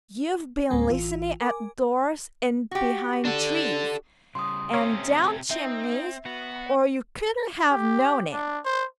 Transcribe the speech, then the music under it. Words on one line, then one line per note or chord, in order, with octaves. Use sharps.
'You've been listening at doors--and behind trees--and down chimneys--or you couldn't have known it!'
D2 A2 G#3 A#3 C4 G#5
A1 E3 F4
A#4 G#5 D6
F#4 G4
D4 A4
C#3 G3 C6 D#6
C3 A3 C4 C#4 C#5 F5
C4 D#4 E5
B3 F#4
G4
D4
C5